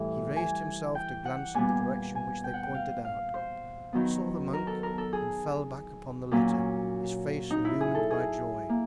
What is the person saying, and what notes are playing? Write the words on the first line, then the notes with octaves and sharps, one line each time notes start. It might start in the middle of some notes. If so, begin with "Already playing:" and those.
He raised himself to glance in the direction which they pointed out, saw the monk, and fell back upon the litter, his face illumined by joy.
Already playing: A2 E3 G3
G#5
G5
F#5
A#2 G3 B3 G#5
G#5
G5
F#5
G5
F5
F5
C5
D#3 F#3 B3
A#4
A4
A#4
A4
G#4
A#2 F#3 A#3 C#4
D#4
E4
G#4
A4
G#4
A#3